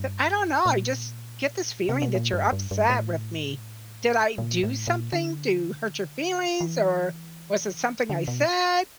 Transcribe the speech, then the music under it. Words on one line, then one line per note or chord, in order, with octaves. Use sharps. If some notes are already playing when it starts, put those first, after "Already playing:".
Said, "I don't know, I just get this feeling that you're upset with me. Did I do something to hurt your feelings? Or, was it something I said?"
Already playing: G2
A#2
C3
B2
A#2
G2
G2
G2
A2
A#2
A2
A#2
D3
E3
D3
B2